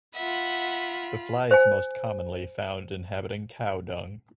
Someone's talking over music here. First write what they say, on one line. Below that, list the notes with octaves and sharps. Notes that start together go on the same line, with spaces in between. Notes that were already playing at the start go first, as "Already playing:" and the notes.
The fly is most commonly found inhabiting cow dung.
F4 E5 F#5 B5
C5 G#5